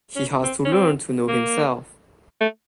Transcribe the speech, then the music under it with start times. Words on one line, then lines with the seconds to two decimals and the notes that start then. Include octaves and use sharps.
He has to learn to know himself.
0.16 C#4
0.44 C4
0.65 C#4
0.73 C4
1.28 A#3
2.41 A3